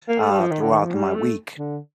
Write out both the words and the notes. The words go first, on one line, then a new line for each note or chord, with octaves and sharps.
uh, throughout my week.
A#3
A3
G3
F3
D#3
D3
D#3
F3
G3
A3
D3